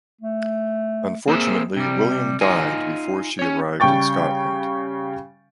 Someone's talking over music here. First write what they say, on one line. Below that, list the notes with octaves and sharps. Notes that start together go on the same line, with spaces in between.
Unfortunately, William died before she arrived in Scotland.
A3
A#3 C4 G#4 E5
C3 G3
D#4 F4 D#5 F5 G#5
C#4 C#5
C#3 G3 G5 C#6 A6